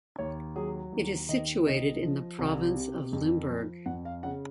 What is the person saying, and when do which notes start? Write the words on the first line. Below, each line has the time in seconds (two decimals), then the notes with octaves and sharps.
It is situated in the province of Limburg.
0.18 D#2 C#5
0.56 F#3 G#4
0.93 D#2
1.29 D#3 D#5
1.66 C2 D#5
2.03 F3
2.39 C2
2.77 C3
3.13 F2
3.49 F3
3.86 F2 F#5
4.05 F5
4.23 C#3 F#5